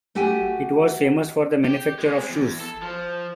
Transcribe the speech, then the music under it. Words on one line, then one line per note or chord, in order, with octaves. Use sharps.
It was famous for the manufacture of shoes.
A3 F#4 G4 F#5 G#5
G4
G#3 C4
E2
A4
F3